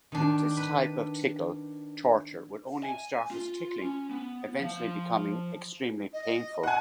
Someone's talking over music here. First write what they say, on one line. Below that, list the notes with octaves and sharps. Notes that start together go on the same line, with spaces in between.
This type of tickle torture would only start as tickling, eventually becoming extremely painful.
D#3 D4
B4
G#5
F4
C#4
B3
F3 F5
D#5
F#5 G#5